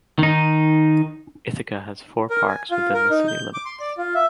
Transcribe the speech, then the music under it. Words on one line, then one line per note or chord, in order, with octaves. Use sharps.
Ithaca has four parks within the city limits.
D#3 D#4
A#4
G#5
F4
A#4
D#4
G6
D6
C6
D5
F4
E5